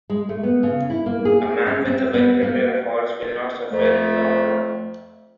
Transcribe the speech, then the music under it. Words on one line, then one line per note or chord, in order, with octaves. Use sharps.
A man with a well prepared horse will not suffer in long run.
G#3
A3
B3
C#3
E4
A#3
G#4
C#4
C4
B3
A#3
F2 A3